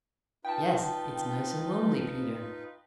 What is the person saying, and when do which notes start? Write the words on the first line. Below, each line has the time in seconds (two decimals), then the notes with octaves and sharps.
"Yes; it's nice and lonely, Peter."
0.45 D#4 F4 B4 G5 A5